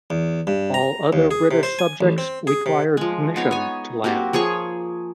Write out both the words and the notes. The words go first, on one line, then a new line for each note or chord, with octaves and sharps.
All other British subjects required permission to land.
E2
G2
A#5
D#2
G#4
C3
C5
G#5
A1
C4
G#4
C3
F3 G#3
B3 D#4 C#5
C#5 G#5
A#3 C4 F#4 G4
F3 G#4 C#5 C#6